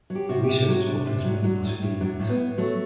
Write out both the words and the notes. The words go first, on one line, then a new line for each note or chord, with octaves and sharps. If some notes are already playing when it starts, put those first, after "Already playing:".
Research opens many possibilities.
F#3
G4
C3 F#4
C3 G4
G4
F#3 F#4
C3 D4
C3
F#3
F#3
A2
A2
F#3 D4
A2
B3
A2
F#3 A3